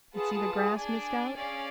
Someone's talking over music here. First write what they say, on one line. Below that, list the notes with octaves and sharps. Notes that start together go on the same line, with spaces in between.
But see the grass missed out!
F4 G#4 B4 F#5 A5
G#4
G#4
D4 G#4 D5 G#5
C#4 G#4 D5 F5